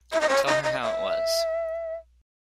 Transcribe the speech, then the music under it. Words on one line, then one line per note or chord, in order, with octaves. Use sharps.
Tell her how it was.
E5
D#5
C#5
D#5
D#5
E5